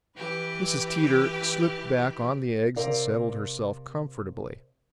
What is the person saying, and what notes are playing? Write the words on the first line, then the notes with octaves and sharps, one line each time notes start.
Mrs. Teeter slipped back on the eggs and settled herself comfortably.
E3 G4 B4
C3 A#4 D5 F5